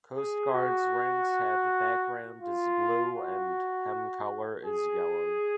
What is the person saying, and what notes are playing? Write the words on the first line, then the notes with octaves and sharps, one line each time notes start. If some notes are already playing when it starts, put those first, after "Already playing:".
Coast Guard's ranks have background is blue and hem colour is yellow.
G#4
F#4
F4
F#4
G#4